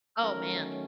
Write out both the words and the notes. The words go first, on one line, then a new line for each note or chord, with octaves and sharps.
Oh man.
D#3 F#3 A3 C#4 A#4